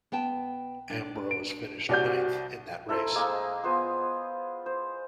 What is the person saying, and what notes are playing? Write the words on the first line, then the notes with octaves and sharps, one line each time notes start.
Ambrose finished ninth in that race.
B3 G5 A5
D4
D7
C2 C3 F#4 G4 D5 G#5 G6
E4 A4 C5 A#5
G#3 A#3 D#5 E6
B3 F4 C5 G#5
C5